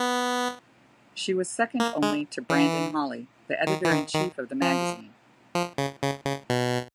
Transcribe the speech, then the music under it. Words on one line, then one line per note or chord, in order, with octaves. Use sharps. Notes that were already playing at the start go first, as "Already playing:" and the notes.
She was second only to Brandon Holley, the editor-in-chief of the magazine.
Already playing: B3
A#3
G#3
E3
D#3
E3
D#3
D#3
F3
F3
C#3
C#3
C#3
B2